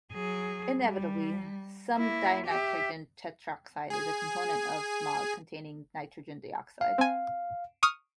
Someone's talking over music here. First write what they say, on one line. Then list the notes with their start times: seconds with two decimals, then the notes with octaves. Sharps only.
Inevitably, some dinitrogen tetroxide is a component of smog containing nitrogen dioxide.
0.12 F#3 G#4
0.79 G3
1.95 A#3 E4
2.46 G4 E5
3.90 G#4 G#5
6.81 F5
6.98 C4 G#5
7.83 C#6 D#6 F6